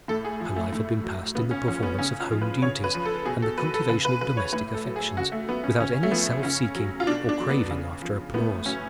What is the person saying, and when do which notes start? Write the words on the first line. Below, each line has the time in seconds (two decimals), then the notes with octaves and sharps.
Her life had been passed in the performance of home duties, and the cultivation of domestic affections, without any self-seeking or craving after applause.
0.08 A2 A4
0.25 G#4
0.40 F3
0.56 A3
0.73 A2
1.03 F#3
1.35 C#3 B3
1.51 C#4
1.67 F3 C#4
1.83 B3
1.99 C#3 C#4
2.20 F4
2.31 F3
2.42 B4
2.62 C#3 C#5
2.84 B4
2.94 F3
3.05 A4
3.26 B2 G#4
3.42 A4
3.58 F#3 B4
3.74 A4
3.89 C#3 B4
4.05 B4
4.21 F#3 B4
4.37 C#5
4.53 A2 B4
4.74 A4
4.85 F#3
4.96 G#4
5.17 C#3 F#4
5.32 A3
5.48 F#3 B3
5.64 C#4
5.80 C#3 C#4
6.03 A3
6.11 F3 B3
6.43 C#3 C#4
6.75 F#3
7.00 F4
7.07 B2 D4
7.29 D4
7.39 F#3
7.50 B3
7.70 C#3
8.02 F3
8.34 A2 B3
8.66 F#3 C#4